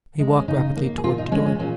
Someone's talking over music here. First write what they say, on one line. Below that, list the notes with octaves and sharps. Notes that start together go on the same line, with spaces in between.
He walked rapidly towards the door.
G#3
C#4
C#3 D#4
A#3
G#4
A#2 F4
D#4
G#3 C#4
C#4
A#2 C#4